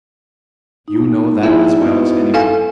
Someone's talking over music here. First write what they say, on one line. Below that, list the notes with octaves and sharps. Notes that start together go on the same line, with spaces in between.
You know that as well as any one.
D#4
A#1 E4
B2
A4 F5 G#5